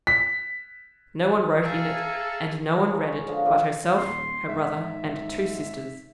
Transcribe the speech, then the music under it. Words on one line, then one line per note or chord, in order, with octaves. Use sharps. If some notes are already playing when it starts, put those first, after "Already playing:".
No one wrote in it, and no one read it, but herself, her brother, and two sisters.
B6
G#4 A4 E5 F5 A5 A#5
G#3 A#4
G#4 C#5
D3 F3
C#3 D4 F4 F#4
D#1 C6
G#2 E5